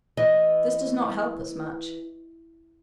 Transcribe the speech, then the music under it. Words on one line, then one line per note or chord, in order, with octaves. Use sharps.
"This does not help us much."
E3 D#5